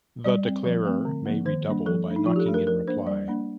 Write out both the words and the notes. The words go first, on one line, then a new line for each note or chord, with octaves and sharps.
The declarer may redouble by knocking in reply.
G3 D5
C4
F3
A3 C4
D3
F3 A#3
D#3 C5
G3 A#3 D4
F3 A4
A3 D4
D#4
F3 F4
G4
A4
A3 D4
A#4
F3 A#4
A#3 D4 C5
G3 D5
A#3 D4